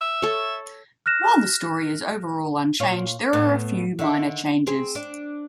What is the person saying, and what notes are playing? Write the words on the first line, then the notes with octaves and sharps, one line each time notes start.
While the story is overall unchanged, there are a few minor changes.
E5
A4 C#5
F6 F#6 A#6 E7
A#2 F4 C#5
A2 B3
D3 D#3 E5
C4 G#4
D4